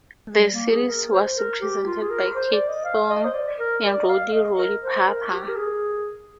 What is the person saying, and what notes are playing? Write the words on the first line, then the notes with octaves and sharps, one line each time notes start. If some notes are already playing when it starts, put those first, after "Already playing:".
The series was presented by Kate Thornton and Rowdy Roddy Piper.
G3
A#3
G#4
A#4
C5
A#4
G4
F4
G#4
A#4
C5
D5
D#5
F5
D#5
C5
D5
A#4
D5
D#5
F5
F5
D#5
A#4
C5
A#4
G4
A#4
G#4